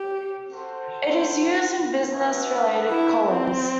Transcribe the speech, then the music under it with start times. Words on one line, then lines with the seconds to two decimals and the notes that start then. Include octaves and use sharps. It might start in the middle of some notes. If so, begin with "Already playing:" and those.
It is used in business-related columns.
Already playing: G4
0.52 F#4 A4 C5
2.10 B3 D4 F#4 B4 E5
2.90 E4
3.29 C4